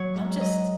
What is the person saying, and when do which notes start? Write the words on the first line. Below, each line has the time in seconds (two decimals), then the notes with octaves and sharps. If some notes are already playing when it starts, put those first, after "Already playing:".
I'm just
Already playing: F#3 C#5
0.15 G#2
0.40 F#3 D#5